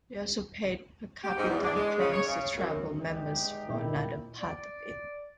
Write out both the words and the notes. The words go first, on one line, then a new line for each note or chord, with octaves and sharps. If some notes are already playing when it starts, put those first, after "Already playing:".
They also paid per capita claims to tribal members for another part of it.
G4
G#2
E2
D4
G#3
C#3
C#5
C#3
F#2
E2 G#3 D#4 G4
A#2 D#3 E4
D5